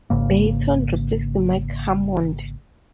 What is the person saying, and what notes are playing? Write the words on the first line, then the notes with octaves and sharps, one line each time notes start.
Beaton replaced Mike Hammond.
G#1 G#2 C#3 A#3